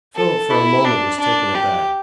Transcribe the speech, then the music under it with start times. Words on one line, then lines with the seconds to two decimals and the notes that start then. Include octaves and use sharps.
Philip for a moment was taken aback.
0.15 A4
0.50 E4
0.85 D4
1.20 D4
1.54 G4